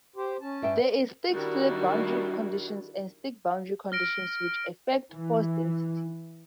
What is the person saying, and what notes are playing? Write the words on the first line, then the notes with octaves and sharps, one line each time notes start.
There is stick-slip boundary conditions and stick boundary conditions which effect force density.
G4 C5
C#4 A5
G2 E5 G5
D#3 G3 D4 E4 F#4
F6 A#6 D7
E3